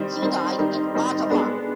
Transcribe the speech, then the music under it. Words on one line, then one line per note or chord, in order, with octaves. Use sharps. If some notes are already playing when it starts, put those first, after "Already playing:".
He died in Ottawa.
Already playing: D#3 G3 C4 D#4
D#3 G3 C4 D#4
D#3 G3 C4 D#4
D#3 G3 C4 D#4
G#3 B3 D4